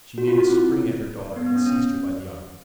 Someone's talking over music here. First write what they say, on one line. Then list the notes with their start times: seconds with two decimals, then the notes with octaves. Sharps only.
She made a spring at her daughter, and seized her by the arm.
0.18 F#4
0.27 F4
0.37 E4
0.47 C4
1.36 B3
1.46 B3
1.56 C#4
1.66 C#4